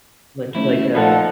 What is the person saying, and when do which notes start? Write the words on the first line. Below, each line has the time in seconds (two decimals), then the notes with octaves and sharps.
Like, like, uh
0.55 D#2 A3 C#4 E4
0.95 F3 A3 D#4 A4 C5 F#5 B5